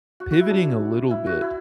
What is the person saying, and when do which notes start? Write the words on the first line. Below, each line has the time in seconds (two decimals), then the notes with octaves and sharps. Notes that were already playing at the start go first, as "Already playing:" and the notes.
pivoting a little bit,
0.20 F#4
0.31 F#4
0.40 E4
0.50 D4
1.11 E4
1.26 F#4
1.41 E4